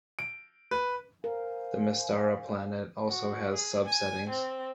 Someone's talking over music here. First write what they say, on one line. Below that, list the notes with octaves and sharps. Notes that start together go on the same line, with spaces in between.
The Mystara planet also has sub-settings.
D7
B4
A#4 C5 F5 G#5
F#4
G#4
G#5
C4